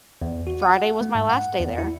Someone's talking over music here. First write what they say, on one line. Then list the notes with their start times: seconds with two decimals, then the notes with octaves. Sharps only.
Friday was my last day there
0.22 E2
0.47 F#4
0.62 F#5
1.01 A3
1.15 G#2
1.30 F#5
1.60 E2
1.78 E4